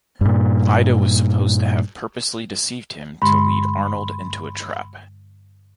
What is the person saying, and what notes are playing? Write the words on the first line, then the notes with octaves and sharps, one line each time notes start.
Ida was supposed to have purposely deceived him to lead Arnold into a trap.
G2 A#2
G2 D3 G#3 B5 C6